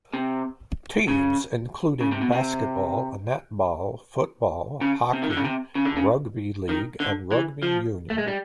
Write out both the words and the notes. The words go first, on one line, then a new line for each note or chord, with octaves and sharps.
Teams include: Basketball, Netball, Football, Hockey, Rugby League and Rugby Union.
C3
C#3
C#3
C3
B2
C3
C#3
C3
D#3
D3
C#3
C3
C#3
D3
C#3
D#3
D3
E3
F3
A3
G#3
G3